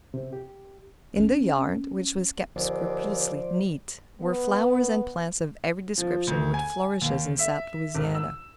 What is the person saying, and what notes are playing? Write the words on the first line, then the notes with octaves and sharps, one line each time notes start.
In the yard, which was kept scrupulously neat, were flowers and plants of every description which flourishes in South Louisiana.
C3
G4
B3 C#4
D#2 D3 F3 C5 D5
B3
F3
D2
G#5
D#2
E5
G#1
E6